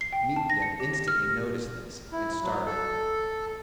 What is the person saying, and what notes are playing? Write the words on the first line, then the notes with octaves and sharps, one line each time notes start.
Mitya instantly noticed this, and started.
C7
G5
A5
A#6
C#7
G4
A#6
F6
E4
F#3
A4